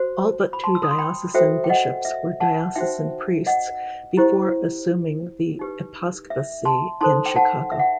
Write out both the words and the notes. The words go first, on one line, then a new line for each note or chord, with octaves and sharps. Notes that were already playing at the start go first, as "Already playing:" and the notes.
All but two diocesan bishops were diocesan priests before assuming the episcopacy in Chicago.
Already playing: F#4 C5
B5
A5 C6
E6
D#6
C6
G5 B5
F#4 A4 C5 E5 G5
G5
D#5 F#5
E5
F#5 A5
D#4 F#4 C5 E5 G5
D#5 F#5
E4 G4 C5
D#4 G4 B4
E5
A5 C6
D#4 A4 C5 A5 C6
G5
F#5 A5
E5
F#5